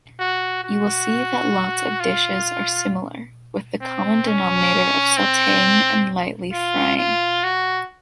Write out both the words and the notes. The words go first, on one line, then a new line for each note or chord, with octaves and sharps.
You will see that lots of dishes are similar, with the common denominator of sautéing and lightly frying.
F#4
F#4
F4
C4
C#4
C4
F4
F4
F#4